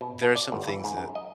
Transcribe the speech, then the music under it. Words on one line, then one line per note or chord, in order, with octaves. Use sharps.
there are some things that
B2
B2
D5
G1
E3
G#2
F#2
D#5